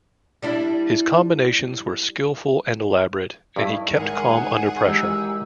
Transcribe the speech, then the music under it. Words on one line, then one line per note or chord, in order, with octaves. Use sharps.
His combinations were skillful and elaborate, and he kept calm under pressure.
G3 D4 E4
G2 A3 D#4 E4
G#1 G#4 A#4 F#5
E3 G#3 G4 A#5 E6